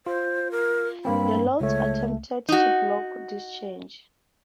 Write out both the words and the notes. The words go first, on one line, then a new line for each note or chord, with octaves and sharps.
The Lords attempted to block this change.
F4 C5
A#4
G2 A#3 C4 B5
C#2 A3 C#5
D#4 F#4